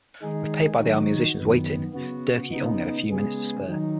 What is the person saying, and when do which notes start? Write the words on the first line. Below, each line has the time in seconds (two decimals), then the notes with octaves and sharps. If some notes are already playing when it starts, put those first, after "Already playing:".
With paid-by-the-hour musicians waiting, Durkee had only a few minutes to spare.
0.22 D#3 G#3 D#4 G#4
0.80 D#3 F#3 D#4 F#4
1.36 F#2 D#3 B3
1.94 C#3 B3 F#4
2.52 C#3 B3 D#4
3.09 C#3 G#3 B3 G#4
3.67 D#3 F#3 D#4